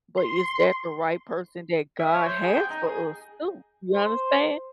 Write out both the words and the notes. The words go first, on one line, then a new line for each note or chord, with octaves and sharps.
but is that the right person that God has for us too? You understand?
C6
E5
C#5
C5
G#4
G5
D#4
G#4
C5